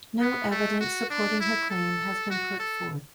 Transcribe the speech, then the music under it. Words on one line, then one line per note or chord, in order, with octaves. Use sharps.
No evidence supporting her claim has been put forth.
B3
A3
F#4
D4
E4
A4
F#4
A4